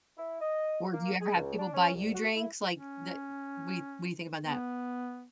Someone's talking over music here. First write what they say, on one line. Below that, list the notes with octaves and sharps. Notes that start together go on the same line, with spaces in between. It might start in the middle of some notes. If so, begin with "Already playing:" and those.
Or, do you ever have people buy you drinks? Like, the what what do you think about that?
E4
D#5
A#3
G#4
C#2
D4
C#4
C2
F#4
E4
C#4
B3